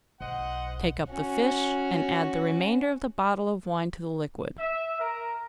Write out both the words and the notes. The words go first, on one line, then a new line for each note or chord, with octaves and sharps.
Take up the fish, and add the remainder of the bottle of wine to the liquid.
B1 C5 D#5 F#5
C#4 F#4
E5
A#4